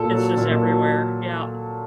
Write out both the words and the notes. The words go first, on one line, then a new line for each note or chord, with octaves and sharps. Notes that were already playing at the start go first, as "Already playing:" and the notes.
It's just everywhere, yeah.
Already playing: A#2 A4
F#3
A#2
F#3